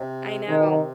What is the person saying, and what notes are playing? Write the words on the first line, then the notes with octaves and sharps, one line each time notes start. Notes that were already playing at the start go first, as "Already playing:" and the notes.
I know.
Already playing: C3
C3 D#3
B2
C3